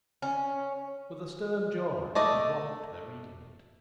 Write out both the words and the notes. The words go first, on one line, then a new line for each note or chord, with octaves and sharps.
With a stern joy he watched her reading it.
C#4
A3 D5 D#5